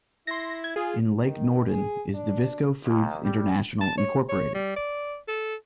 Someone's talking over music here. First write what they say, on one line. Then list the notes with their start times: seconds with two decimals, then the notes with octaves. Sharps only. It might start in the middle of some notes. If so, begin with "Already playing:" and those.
In Lake Norden is Davisco Foods International Incorporated.
0.27 E4 C6 A#6
0.64 G#6
0.76 F4 G#4
1.20 D#3
1.69 G#4
2.14 D4
2.84 D#2
3.23 G3
3.81 A5
3.97 C#5
4.29 C#5
4.54 G3
4.76 D5
5.28 A4